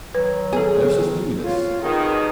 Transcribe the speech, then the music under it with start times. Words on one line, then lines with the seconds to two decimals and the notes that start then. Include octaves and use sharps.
Ursus knew this.
0.15 D#3 F#3 B4
0.53 B3 G#4 A4
1.44 C4 F4 F#4 C#5
1.82 B2 D#3 G4 G#4 A#4